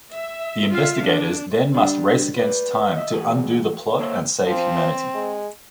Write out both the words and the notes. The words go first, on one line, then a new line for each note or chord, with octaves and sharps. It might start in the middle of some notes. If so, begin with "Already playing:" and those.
The investigators then must race against time to undo the plot and save humanity.
E5
F4 E5 F5
D4
G3 D4 D5
B4 D5
D#5 E5
A2 E3 F#4 G#4 G#5
A#3 A4 C5 C#5 E5
F3 C4
G#3